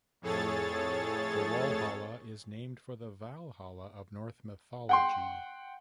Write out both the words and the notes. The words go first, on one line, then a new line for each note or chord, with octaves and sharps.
The Walhalla is named for the "Valhalla" of Norse mythology.
F2 A2 G#4 A4 C#5 A6
F#5 G5 C6